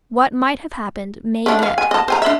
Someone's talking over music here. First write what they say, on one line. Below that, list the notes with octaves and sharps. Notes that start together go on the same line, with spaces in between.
What might have happened may yet happen.
A3 D4
E3 F5
G#5
D#5 A5
C5 G#5 A#5
D4 E5